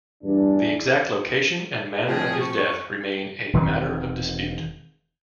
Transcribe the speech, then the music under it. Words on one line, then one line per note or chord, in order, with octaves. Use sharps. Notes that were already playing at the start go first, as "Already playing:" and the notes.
The exact location and manner of his death remain a matter of dispute.
E2 G2 D4
A2 F3 C4 G#4
C#6
E1 D#3 C4